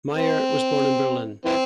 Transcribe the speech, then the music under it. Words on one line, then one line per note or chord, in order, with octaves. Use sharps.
Meyer was born in Berlin.
C4
E3 C4